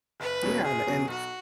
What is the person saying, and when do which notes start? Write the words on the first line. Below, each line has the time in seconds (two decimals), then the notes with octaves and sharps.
Yeah, an and
0.20 F#1 B4
0.42 E2 B2 F#3 C#4
0.64 F#1 G#4
0.86 E2 B2 F#3 C#4
1.09 B1 F#4